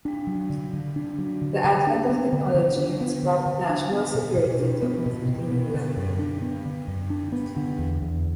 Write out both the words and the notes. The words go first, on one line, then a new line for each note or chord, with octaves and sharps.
The advent of technology has brought national security to a completely new level.
D4
F#3
D3
D3
D4
F#3
D3
D3
D4
B3
D3
D3
D4
B3
D3
D3
D4
B3
B2
B2
D4
B3
B2
B2
B3
D3
F#2
D4
B3
D3
F#2
D4
B3
D3
E2
E2